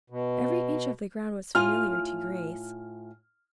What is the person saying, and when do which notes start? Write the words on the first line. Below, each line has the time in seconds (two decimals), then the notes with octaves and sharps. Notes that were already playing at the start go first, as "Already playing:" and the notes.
Every inch of the ground was familiar to Grace.
0.10 B2
1.55 A2 F4 G#5 F6